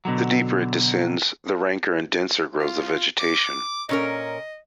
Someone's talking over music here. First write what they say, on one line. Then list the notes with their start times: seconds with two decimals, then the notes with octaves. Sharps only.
The deeper it descends, the ranker and denser grows the vegetation.
0.05 B2 D3 F#3
2.59 F4
3.19 D6
3.89 A#2 C#4 A#4 D#5